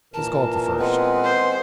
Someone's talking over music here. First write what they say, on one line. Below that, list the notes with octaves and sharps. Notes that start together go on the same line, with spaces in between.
Let's call it the first.
A#2 E3 A#4 A5
G#3 B3 C4 B4
C5